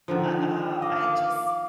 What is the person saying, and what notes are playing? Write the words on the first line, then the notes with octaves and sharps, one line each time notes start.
Uh, uh, I just
D3 D#3 F3
D#5 F5 D6